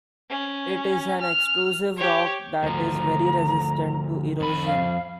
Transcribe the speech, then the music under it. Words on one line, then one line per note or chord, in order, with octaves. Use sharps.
It is an extrusive rock that is very resistant to erosion.
C#4
F6
G4 C#5
D2 F3 A#5
F2 B5
F5